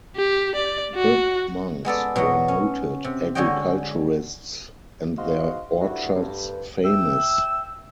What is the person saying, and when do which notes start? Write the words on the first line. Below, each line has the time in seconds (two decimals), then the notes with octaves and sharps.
The monks were noted agriculturists and their orchards famous.
0.16 G4
0.55 D5
0.95 F#4
1.85 G#3 B3 A4 D5
2.16 B2 F#3 D#5 F#5
2.48 C#4
3.04 C3
3.35 D3 G#3 F#4 C#5 D#5 G5
5.18 G#2 F#4 D#5 F5 C6
5.81 D2 G2 E4 F#4
6.14 D2 G2
6.85 E5 G5 E6